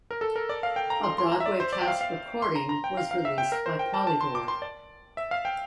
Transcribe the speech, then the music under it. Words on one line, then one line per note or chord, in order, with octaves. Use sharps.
A Broadway cast recording was released by Polydor.
A#4
A4
A#4
D5
F5
G5
A#5
C6
C6
A#5
E5
D5
C5
D5
G5
F5
F5
C6
A#5
A#5
G5
F5
F5
E5
G5
A#4
C5
G5
A5
A5
C6
D6
C6
D5
E5
F5
G5